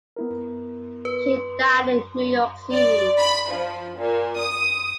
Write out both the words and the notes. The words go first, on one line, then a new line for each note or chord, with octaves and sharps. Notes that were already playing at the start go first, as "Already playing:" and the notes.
She died in New York City.
B3 E4 A#4
B4
D5
B5
F3
A#2
D#6